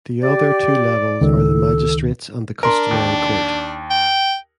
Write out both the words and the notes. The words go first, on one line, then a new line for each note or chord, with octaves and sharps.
The other two levels are the Magistrates and the Customary Court.
G4 D5
C#2 D#3 A4
D4 A#4 C6
D#2
G5